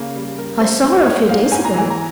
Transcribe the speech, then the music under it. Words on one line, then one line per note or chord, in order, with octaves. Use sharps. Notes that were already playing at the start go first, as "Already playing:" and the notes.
"I saw her a few days ago."
Already playing: C#3 A#3
G3
G3 A#4
A#3 C5
G3 C5
G#2 C#5
G#2 F5
G#2 G#5
A#5
E3 G#5
A#5